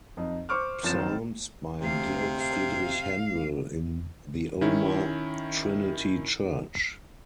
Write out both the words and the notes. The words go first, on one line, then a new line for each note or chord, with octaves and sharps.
Psalms by Georg Friedrich Händel in the Ulmer Trinity Church.
F2 D#4
C5 C#6 D6 F6
F#1 F3 C4 A6 E7
D#3 C4
D2 C3 F5
F5
D#3 C#4 E4